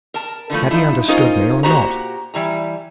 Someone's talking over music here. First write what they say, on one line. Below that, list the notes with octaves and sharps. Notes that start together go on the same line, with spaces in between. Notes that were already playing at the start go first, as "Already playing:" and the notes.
Had he understood me or not?
A#4 A5
D3 E3 F3 A3
F3 D#4 E4
C#4 D#4 F4 A#4 C5
A#2 C#4 F#4 G4 C5 A#5
E3 G3 A#5